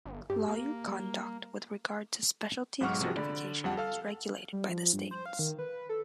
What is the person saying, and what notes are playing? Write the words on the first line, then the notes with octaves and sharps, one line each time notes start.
Lawyer conduct with regard to specialty certification is regulated by the states.
G1
G2 G4
A#3
G3
B1 G#2 F#3 F#5 C#6 F6
C3 F3 F#4 G#4
D3 D5 B5
F2 G3 F#5 A5
A4 F5 F6
G3
F3
G2
C5
F5
D#3
B4
A4